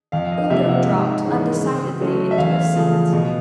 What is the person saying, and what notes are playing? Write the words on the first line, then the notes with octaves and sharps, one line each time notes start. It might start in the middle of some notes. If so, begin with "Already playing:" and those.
Udo dropped undecidedly into a seat.
F2 F5
D#5
F5
C3 F3 A#3 E5
F#5
G#2
E3 G#3 C#4
C#3
F#3 A3 C#4
E5
E2 F5
C#3 F3 A3
B2